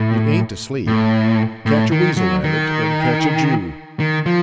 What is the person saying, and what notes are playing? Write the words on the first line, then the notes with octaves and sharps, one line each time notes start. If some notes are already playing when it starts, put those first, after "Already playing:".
You ain't asleep. Catch a weasel at it, and catch a Jew!'
Already playing: A2
A2
A2
D#3
F#3
D#3
D#3
F3